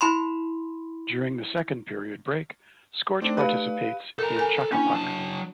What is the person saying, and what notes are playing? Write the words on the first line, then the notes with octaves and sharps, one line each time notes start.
During the second period break, scorch participates in chuck a puck.
E4 B5 C6
A3 C4 D4 D#4 D5
G4 B4 F5
A4 A#4 A#5
A#4 G#5
A#3 C#4 D4 E4
F#3 A5